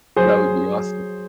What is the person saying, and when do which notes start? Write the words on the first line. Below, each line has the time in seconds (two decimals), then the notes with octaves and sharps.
That would be awesome.
0.16 F#3 G#4 C5